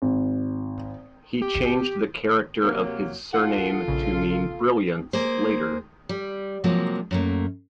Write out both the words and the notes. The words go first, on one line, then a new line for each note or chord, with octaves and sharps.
He changed the character of his surname to mean "Brilliance" later.
G#1
G4
C3 F#3 A#3
F4 A4 F#5
A#1 C#3
A#3 G#4 C5
G3
C3 F3 F#3 G#3 A#3
F#2 A3 A#3